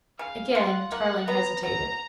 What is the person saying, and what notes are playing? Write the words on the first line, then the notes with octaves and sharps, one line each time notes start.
Again Tarling hesitated.
C#3 F5
F4 F#5
A#3 F#5
B3 A#5
F#3 A#5